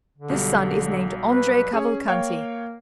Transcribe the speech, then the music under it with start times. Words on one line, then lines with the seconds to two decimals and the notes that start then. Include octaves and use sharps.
This son is named Andrea Cavalcanti.
0.18 D3
0.30 B1 F#3 G3
1.30 B4
1.73 C#4 G#4 C#5
2.08 A#3 C#5 F5 G5